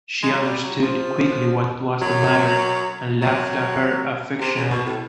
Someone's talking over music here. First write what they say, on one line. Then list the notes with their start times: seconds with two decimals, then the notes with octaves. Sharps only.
She understood quickly what was the matter, and laughed at her affectionately.
0.23 G#3
0.34 F#3
0.43 G3
0.63 F#3
0.83 F3
2.02 F#3
3.22 F#3
4.41 C3
4.56 C#3
4.71 B2
4.86 A2